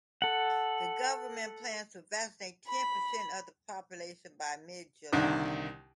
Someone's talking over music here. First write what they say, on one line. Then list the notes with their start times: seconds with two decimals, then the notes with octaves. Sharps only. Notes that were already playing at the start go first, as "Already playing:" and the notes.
The Government plans to vaccinate ten percent of the population by mid July.
0.22 A4 F#5
2.67 B5
5.13 C2 D3 D#3